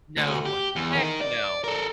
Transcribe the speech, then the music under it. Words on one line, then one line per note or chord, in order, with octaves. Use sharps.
No. Heck no.
D2
G4
E2
D#4 A#4
D5
A4 A#4